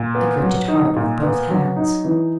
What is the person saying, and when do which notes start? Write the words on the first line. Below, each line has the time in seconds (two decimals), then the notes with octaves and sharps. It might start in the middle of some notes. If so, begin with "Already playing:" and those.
I gripped it hard with both hands.
Already playing: A#2
0.15 B3
0.42 F#3
0.68 D#4
0.96 A#2
1.23 B3
1.50 F#3
1.76 D#4
2.05 E3